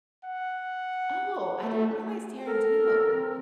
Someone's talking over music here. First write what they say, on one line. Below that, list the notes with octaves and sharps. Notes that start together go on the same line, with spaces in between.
Oh, I didn't realize Tarantino,
F#5
A3
A4 A#4
C4